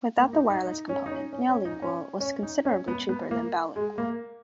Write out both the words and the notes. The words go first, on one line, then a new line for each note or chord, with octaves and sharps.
Without the wireless component, Meowlingual was considerably cheaper than BowLingual.
A#3
D#4
D#4
D#4
C#4
D#4
C#4
C#4
C#4
D#4
C#4
C#4
D#4
C#4
B3
B3
A#3
G#3
A#3